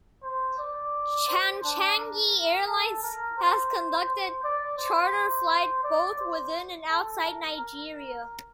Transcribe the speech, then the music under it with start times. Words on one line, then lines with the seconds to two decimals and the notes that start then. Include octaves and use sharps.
Chanchangi Airlines has conducted charter flight both within and outside Nigeria.
0.23 C5
0.59 D5
1.28 C5
1.64 D4
1.99 A#4
2.69 A4
3.03 A#4
3.38 C5
4.09 C5
4.44 D5
4.78 C5
5.84 D5
6.19 C5
6.89 A4
7.24 A#4
7.59 A#4